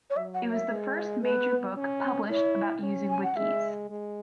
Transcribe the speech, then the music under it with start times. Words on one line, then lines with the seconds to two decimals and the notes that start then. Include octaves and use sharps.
It was the first major book published about using wikis.
0.10 C#5
0.16 F#3 E5
0.34 F#5
0.52 E5
0.70 G#3
1.22 B3 B4
1.77 C#4
2.30 E4 C#5
2.83 C#4
3.10 G#5
3.23 F#5
3.36 G#3 E5
3.90 G#3